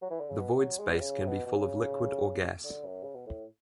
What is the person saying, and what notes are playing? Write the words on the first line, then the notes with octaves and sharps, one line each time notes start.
The void space can be full of liquid or gas.
F#3
E3
D3
C#3
B2
F#3
G#3
B2
C#3
B2
B2
C#3
D3
F#2
C#3
B2
A2